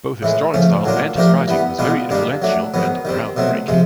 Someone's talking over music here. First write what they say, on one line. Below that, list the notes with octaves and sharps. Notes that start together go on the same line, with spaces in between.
Both his drawing style and his writing was very influential and groundbreaking.
A2 E3 G#3
C#3 F3 A3 C#4
A2 F#3 A#3 D4 F4
F3 A3 D4 G4 A#4
E3 G3 B3
B2 G#3 B3 D4 F4
G2 D#3 G3 A#3 D4
F#3 A3 D4
G#2 D#3 F#3 B3
D#3 G3 C4
B2 F#3 A3 C4
C3 F3 G#3